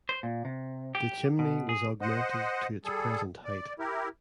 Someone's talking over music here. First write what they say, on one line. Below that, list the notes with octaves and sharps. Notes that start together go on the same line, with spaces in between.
The chimney was augmented to its present height.
C5
A#2
C3
G4
B2
G#4
C5 D#5 F#5
G3 G#4 A4
D5
E4 G4 A#4